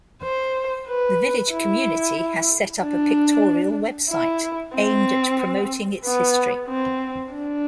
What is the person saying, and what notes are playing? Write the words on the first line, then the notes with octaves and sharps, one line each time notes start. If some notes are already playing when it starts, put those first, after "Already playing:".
The village community has set up a pictorial website, aimed at promoting its history.
C5
B4
E4
D4
E4
C4
B3
C4
D4